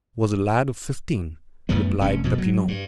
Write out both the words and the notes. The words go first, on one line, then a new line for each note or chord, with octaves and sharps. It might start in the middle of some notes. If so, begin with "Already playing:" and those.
"Was a lad of fifteen," replied Peppino.
F#2 A2 G3 B3
F1 C#4
B2 F3
F#3
G2